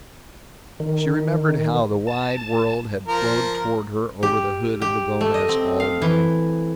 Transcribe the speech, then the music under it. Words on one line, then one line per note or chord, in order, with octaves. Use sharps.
She remembered how the wide world had flowed toward her over the hood of the Gomez all day.
D#3
A5
F3 A#4
G4
G4
A3
D#5
C4
F5
E3